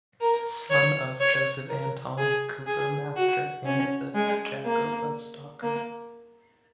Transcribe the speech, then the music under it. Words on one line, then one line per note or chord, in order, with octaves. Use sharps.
Son of Joseph Anton, cooper master, and the Jakobea Stocker.
A#4
C#5
C#5
A#4
G#4
G#4
F#4
C#4
G#3
A#3
A#3